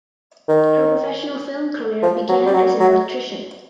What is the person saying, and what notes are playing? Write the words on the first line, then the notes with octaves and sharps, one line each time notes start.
Her professional film career began as an electrician.
D#3
F3
F#3
G3
F#3
F#3